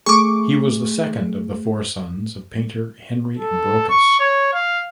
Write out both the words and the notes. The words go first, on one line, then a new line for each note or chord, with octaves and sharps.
He was the second of the four sons of painter Henry Brocas.
A3 G#4 C#6 D6
A4
C#6
C#5
F5